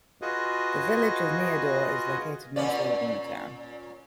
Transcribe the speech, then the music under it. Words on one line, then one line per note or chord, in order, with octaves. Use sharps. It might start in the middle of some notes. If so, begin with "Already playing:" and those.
The Village of Milladore is located mostly within the town.
F4 F#4 G#4 B4 D#5
A#2 C#4 D5